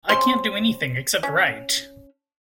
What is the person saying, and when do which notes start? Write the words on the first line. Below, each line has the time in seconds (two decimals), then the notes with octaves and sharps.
I can't do anything, except write.
0.09 C4 C#4 C6
1.23 C#4